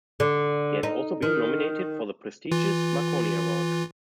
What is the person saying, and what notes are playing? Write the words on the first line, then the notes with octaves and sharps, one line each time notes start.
He has also been nominated for the prestigious Marconi Award.
D3
D#4
D#3
E3 F4